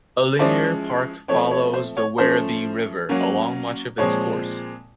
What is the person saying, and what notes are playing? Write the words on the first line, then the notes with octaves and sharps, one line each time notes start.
A linear park follows the Werribee River along much of its course.
F3 G#3 C#4 E4 C5 D5
F3 A3 C4 C#5
C#5
C5
C#5
F3 A3 C#4 C5
F#3 A#3 C#4
A#2 F3 G#3 C4 C#5